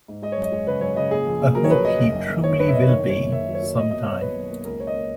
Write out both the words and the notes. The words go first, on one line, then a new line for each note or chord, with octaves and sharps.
I hope he truly will be, sometime.
G#2
G#3 D#5
C#5
F#2
D#5
G#3
C#3 B4
F#2 C#5
C#3 D#5
A#2 G#4
A#1
A#2
F#3 A#4
C#5
A#1 B4
A#3 D#5
F#1
F#1
F#1
F#1 C#5
F#1 B4
E5
F#1 D#5
B4
D#3 C#5
A#3
C#5
D#3
A#3 E5
F#3
C#5
F#3
A#3 D#5
B2 D#5
B2 C#5
B2 B4
B1
A#3
C#2 A#4
A#3 C#5
D#5
A#3